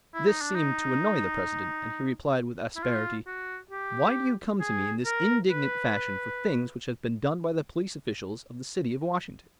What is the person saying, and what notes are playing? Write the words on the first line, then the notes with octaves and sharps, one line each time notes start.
This seemed to annoy the President and he replied with asperity, "Why do you come to me in this indignant fashion for things which have been done by the police officials of the city of Washington?"
E4
D#4
D4
D#4
E4
F4
F#4
G4
G#4
A#4
B4